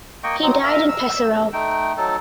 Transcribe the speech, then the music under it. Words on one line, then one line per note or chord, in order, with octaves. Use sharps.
He died in Pesaro.
A#3 D#5 G5 C#6
F#3 C4 D#4
A#4 E5 F5 A#5
E6
A3 D#4 G5
F#3 D#4 A4